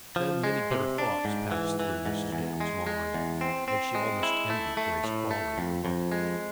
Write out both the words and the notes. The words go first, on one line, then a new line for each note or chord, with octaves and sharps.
Then many bitter thoughts passed through Mrs. Dale's mind, and she almost envied Grace Crawley her lover.
F3
G#3
C3
D4
G#2
E3
E3
G#2
E2
G#3
G#3
E2
C4
C4
G#3
E4
A3
A3
A2
A3
F2
F2
G#3